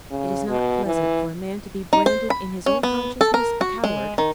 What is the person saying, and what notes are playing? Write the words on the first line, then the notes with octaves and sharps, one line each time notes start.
It is not pleasant for a man to be branded, in his own consciousness, a coward.
C#3
B2
E3
D#4
C5
B5
C#4
B3
A4
A#4
F#4
G#3
D#3